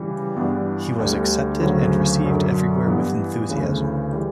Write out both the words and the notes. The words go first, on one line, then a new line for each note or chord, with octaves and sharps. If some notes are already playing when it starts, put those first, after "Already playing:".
He was accepted and received everywhere with enthusiasm.
Already playing: C#3 E3 G3
G2 E3 B3 D4
D2 D3 G3
D2 C#3 F#3 C#4
F#2 D3 F#3
G2 E3 B3
D2 C#3 E3
E3 G3